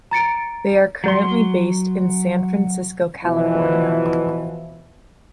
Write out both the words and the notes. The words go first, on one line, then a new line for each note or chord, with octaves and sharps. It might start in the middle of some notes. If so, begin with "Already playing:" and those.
They are currently based in San Francisco, California.
A#5 A6 C#7 D7
F#3 C6
B2 E3 F3